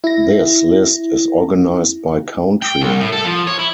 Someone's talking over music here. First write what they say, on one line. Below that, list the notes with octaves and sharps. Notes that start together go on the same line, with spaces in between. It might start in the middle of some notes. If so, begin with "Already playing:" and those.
This list is organized by country.
E4 A#6
G5
C2
A2
A4
F3
C#5
E4